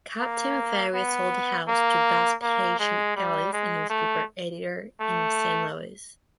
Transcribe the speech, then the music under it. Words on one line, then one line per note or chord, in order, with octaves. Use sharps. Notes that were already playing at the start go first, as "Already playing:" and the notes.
Captain Ferris sold the house to Vespasian Ellis, a newspaper editor in Saint Louis.
A#3
B3
A#3
A#3
G#3
G3
G#3
A3
A3